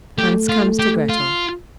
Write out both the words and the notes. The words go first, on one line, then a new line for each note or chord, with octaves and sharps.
Hans comes to Grettel.
A3 G4
F4
G4
F4